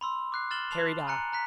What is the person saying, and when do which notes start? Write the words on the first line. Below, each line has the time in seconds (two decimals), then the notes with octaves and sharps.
Carried off?
0.01 B5 C6 E6
0.32 D6 F#6 C7
0.51 F6 A6 E7 F#7 G7
0.71 A5 C7 F7
1.07 G#5 A#5 F#6 C#7
1.33 A#5 F#6 B6